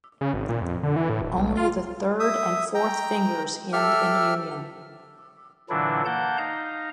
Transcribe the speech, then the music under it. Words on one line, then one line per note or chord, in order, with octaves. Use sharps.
Only the third and fourth fingers end in union.
C#3
G#1
A#2
F2
D3
E3
A2
D1
B1
F4
E5 D#6
G5 A#5
G4 A4 E5 F6
A#2 D3 E3 F#3 D4 E4
A#3 F#5 A5 G6
D#4 F5 A#5